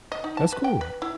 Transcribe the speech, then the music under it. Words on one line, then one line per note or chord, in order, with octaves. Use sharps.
That's cool.
D#5
D#4
A5
B4
G5
B4
E4